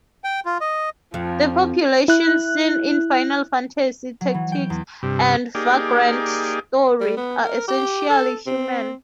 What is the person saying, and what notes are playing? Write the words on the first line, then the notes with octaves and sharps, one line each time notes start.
The populations seen in "Final Fantasy Tactics" and "Vagrant Story" are essentially human.
G5
F4
D#5
F2 F3
E4 F#6
F#3
E3
G5
E2
G2 C3
A#3 D#4 G4 G#4 D5
G3
B3
A#4
G4
A4
C4